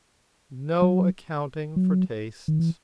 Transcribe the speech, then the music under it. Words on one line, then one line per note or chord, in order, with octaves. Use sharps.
No accounting for tastes!
F#3
F#3
D#3
E3